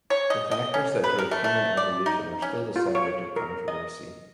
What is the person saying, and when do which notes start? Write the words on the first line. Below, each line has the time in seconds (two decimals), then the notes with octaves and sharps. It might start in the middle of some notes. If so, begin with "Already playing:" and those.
The factors that drove human evolution are still the subject of controversy.
0.10 C#5
0.30 D#5
0.51 D#5
0.74 C#4
1.04 B4
1.18 A#4
1.31 A3
1.44 A3
1.77 D5
2.06 D#4
2.42 C#4
2.76 F4
2.95 C#5
3.36 A#4
3.68 D#5